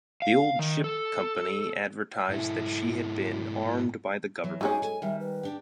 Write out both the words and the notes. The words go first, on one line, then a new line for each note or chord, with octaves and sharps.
The Old Ship Company advertised that she had been armed by the government.
F5
D#3
A4
G#2 E4
E3 F#3
F#3 G#3 C#4 D#4 G4 G#4
A4 G#5
D#3 G3 E5
B4
D4 G4